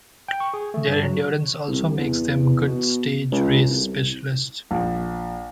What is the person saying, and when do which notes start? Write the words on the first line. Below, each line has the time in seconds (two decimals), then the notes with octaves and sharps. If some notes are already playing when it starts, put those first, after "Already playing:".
Their endurance also makes them good stage race specialists.
0.28 G5
0.40 C#6
0.54 G#4
0.74 A3
0.88 G2
1.03 F#3
1.68 C2
1.98 E2
2.67 B2
3.32 C#2
3.69 C2
4.71 A#1